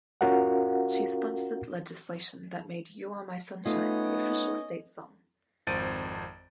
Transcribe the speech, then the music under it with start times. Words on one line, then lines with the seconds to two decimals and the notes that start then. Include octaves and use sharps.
She sponsored legislation that made "You Are My Sunshine" the official state song.
0.21 C#4 F4 F#4 A#4 F5 F#5
3.66 A3 B3 C#4 D#4 F4 D#5
5.67 G#1 F2 C5 A6 D7 D#7